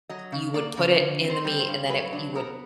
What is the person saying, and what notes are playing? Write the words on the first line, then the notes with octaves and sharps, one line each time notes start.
you would put it in the meat, and then it you would
F#3 D#5
C#3
A#3 D5
C#3
D3
C4
C5
G3
C5
G2
F#3 B4
D4
B3 A#4